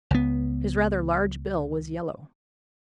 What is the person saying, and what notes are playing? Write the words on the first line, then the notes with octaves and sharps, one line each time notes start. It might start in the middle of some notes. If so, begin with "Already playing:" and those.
His rather large bill was yellow.
C#2 B3